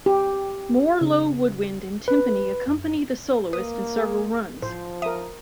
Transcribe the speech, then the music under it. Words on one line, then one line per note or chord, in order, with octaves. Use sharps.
More low woodwind and timpani accompany the soloist in several runs.
G4
C#3
B4
F#2
A#3 B4 D#6
G#4
A2 F3 C5
A#4 E5 D#6